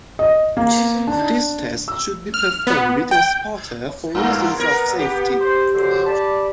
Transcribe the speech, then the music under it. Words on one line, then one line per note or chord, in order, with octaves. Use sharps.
This test should be performed with a spotter for reasons of safety.
D#5
A#3
D4
E6
F6
B3
G5
G2 B3 F4 A#4
B3 A#4
G4
C5
F#2 D3 C5
D5 A5 B5